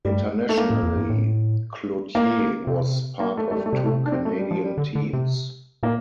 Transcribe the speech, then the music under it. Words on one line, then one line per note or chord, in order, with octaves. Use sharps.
Internationally, Cloutier was part of two Canadian teams.
G2 G3
A3
A#3
A2
F2
G2
A2
A#3
C3
A#3
A3
A3
G3
A3
C3 G3
A3
D4
C4
A3
G3
F3
G3
D3
D3
C3
A#2 A#3